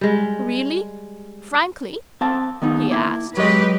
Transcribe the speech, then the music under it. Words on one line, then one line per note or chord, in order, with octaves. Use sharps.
"Really frankly?" he asked.
G3 G#3
C4 F5 A5
D#3 B3 D#4
A#3 E4
F#3 G#3 G4 B4 D#5